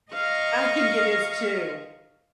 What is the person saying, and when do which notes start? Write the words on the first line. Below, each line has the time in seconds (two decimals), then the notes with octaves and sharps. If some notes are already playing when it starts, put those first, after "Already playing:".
I think it is too.
0.12 D#5 F5 A#5 C#6